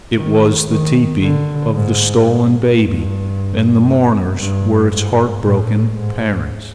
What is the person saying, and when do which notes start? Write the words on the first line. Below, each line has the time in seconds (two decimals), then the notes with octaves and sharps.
It was the teepee of the stolen baby and the mourners were its heart-broken parents.
0.16 D#3
0.69 D#3
1.22 D3
1.75 G#2
2.80 G2
4.38 G2
4.90 G#2
5.43 A2
5.96 G#2